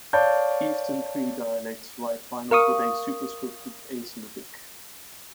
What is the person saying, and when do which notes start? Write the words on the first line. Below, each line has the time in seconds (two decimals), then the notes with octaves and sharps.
Eastern Cree dialects write finals with a superscripted a-syllabic.
0.13 C#5 D5 F5 A5 G6
2.51 A#4 F5 C#6 D#6